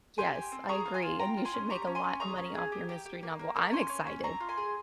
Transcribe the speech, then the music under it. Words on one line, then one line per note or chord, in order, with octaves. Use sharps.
Yes, I agree, and you should make a lot of money off your mystery novel, I'm excited
G4 G#5 C6
G4
C4
G#4 A#5 C#6
F4
G#5 C6
F4
F4 G5 A#5
F4
G#5 C6
C#4
G4 A#5 C#6
C#4
G#5 C6
C#4
G#4 A#5 C#6
C#4
G#4
G4
G4
G4
A#3
A#3
A#3
C#4 G#5 C6
C#4
C#4
C4 A#5 C#6
F4
G#5 C6
G#4